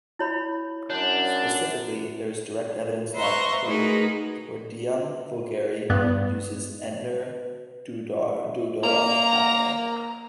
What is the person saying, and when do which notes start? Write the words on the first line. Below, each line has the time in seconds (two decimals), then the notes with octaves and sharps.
Specifically, there is direct evidence that "Hordeum vulgare" uses the Entner-Doudoroff pathway.
0.19 E4 C#5 B5
0.90 F#2 D4 C#5
3.14 B4 C5 E5 A#5 C6 C#6
3.64 A3 D#4 F#4 G#4 A#4 B4
5.90 G2 B3
8.84 A#3 A#5